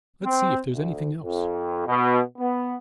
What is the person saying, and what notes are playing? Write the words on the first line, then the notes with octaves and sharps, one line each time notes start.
"Let's see if there's anything else."
C4
D2
F2
B2
B3